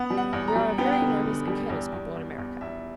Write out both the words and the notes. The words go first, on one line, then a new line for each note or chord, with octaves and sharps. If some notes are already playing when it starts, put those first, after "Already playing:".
We are a very nervous and careless people in America.
Already playing: B3 F#5
G3
F#5
E2
A#5
G3
B3 G5
F#5
G5
D3
D3
G3
E2
E2
E2
E2
E2 E5